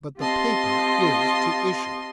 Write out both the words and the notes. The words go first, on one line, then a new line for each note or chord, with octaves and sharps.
But the paper is to issue.'
C4 F4 G4 D#5 A5 C6